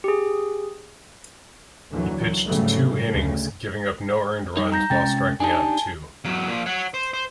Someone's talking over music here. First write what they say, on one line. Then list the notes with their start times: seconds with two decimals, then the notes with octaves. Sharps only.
He pitched two innings, giving up no earned runs while striking out two.
0.04 G4 G#4
1.91 D#2 D3 E3 F#3
2.45 G#2 C#3 F#3 G3 A3
3.11 D2 C#3
4.57 G3 D#4
4.72 A#5 G6 A#6
4.90 C3 G#3 C#4 G5 A6
5.40 D4 D#4 G4 G#5 A5
6.25 E2 F#3
6.49 A#2 F3
6.66 C#5 F#5
6.94 C5
7.13 C5